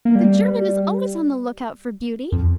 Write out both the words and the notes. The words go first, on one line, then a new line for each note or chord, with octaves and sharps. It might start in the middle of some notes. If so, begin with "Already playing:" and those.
The German is always on the lookout for beauty.
A#3
G3
F2